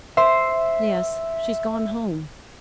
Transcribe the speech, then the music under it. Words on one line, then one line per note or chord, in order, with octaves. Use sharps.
"Yes, she's gone home."
C5 E5